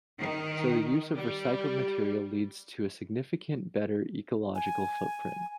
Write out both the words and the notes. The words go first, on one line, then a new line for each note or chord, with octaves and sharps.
So the use of recycled material leads to a significant better ecological footprint.
D#3
G3
G#5